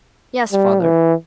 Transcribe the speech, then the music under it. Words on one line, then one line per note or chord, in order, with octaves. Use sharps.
"Yes, father."
G3
E3